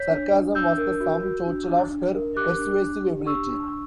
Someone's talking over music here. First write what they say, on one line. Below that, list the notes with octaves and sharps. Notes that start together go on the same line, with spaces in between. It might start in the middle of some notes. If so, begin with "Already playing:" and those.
Sarcasm was the sum total of her persuasive ability.
Already playing: C#5 G6 B6
D4
D4
D4 E6 G6
A#4
F#4
F#4
D4
D4
D4
A#4
G4 D6 F#6
D4
D4
G4
D4 C#6 E6
D4